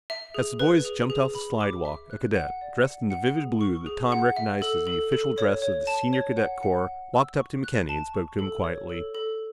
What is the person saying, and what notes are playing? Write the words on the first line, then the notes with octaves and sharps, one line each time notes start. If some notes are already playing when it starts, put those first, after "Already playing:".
As the boys jumped off the slidewalk, a cadet, dressed in the vivid blue that Tom recognized as the official dress of the Senior Cadet Corps, walked up to McKenny and spoke to him quietly.
E5
G#4
B4
G#4
G#4
B5
D6
E5
F#6
F#5
D5
F#5
F#5
G#4
C#6
G#4
F#5
E5
A4
A4
A4
C#5
C#5
A5
C#5
F#5
F#5
F#5
E6
C#6
F#6
A5
C#6
A4
C#5
A4
A4